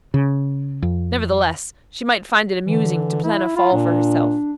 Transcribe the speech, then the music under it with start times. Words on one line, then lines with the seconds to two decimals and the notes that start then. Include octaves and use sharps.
Nevertheless, she might find it amusing to plan a fall for herself.
0.14 C#3
0.82 F2
2.66 D3 E3
3.24 E4
3.56 F4 B5
3.72 A#2 D4